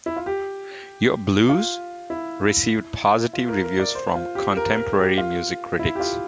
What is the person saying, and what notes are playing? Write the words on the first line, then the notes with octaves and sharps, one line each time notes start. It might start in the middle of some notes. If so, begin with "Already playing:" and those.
"Your Blues" received positive reviews from contemporary music critics.
E4
F4
G4
F4
E4
F4
A#4
A#4
D5
C5
F4
G4
A#4
A#4
G4
F4
E4
G4
F4